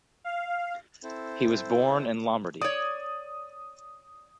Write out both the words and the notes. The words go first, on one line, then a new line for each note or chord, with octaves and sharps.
He was born in Lombardy.
F5
C4 E4 A4 C5
C#5 D5 D#6